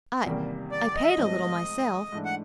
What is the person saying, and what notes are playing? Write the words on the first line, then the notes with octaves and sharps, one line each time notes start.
I--I paint a little myself.'
E2 C3 D#3 G3 A#3
D5
D#5
E5
D#5
G#2 F3 A3 C4
G#2 E3 A3 D4
F#5